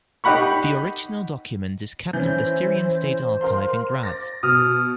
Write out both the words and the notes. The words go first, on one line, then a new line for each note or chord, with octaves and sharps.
The original document is kept at the Styrian State Archive in Graz.
D#4 G4 F#5 B5 C#6
E3 C#4 C5 G6
A#4 F5 C6
D6 A6 A#6
B2 D#6 F6